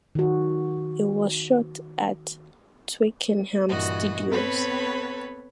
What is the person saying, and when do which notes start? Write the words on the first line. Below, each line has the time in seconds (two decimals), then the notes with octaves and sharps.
It was shot at Twickenham Studios.
0.15 D#3 F#4
3.69 G2 A#2 E3 F#4 D#5
4.29 B3 C4 A4 B4 C#5 B5